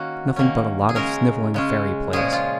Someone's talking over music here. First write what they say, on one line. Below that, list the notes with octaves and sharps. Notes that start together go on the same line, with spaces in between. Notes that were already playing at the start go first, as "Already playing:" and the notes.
Nothing but a lot of snivelling fairy plays.
Already playing: D#3 A#3 C#4 F#4
D#3 A#3 C#4
G#4
C#3 G#3 C#4 A#4
C#3 G#3 C#4
A#2 F3 G#3 C#4 G#4
F4